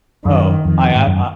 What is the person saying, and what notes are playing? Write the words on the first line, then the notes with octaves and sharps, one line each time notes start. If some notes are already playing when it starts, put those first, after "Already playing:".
Oh, I, uh, uh
F#2 D#3
F2 D#3
G#2
F#2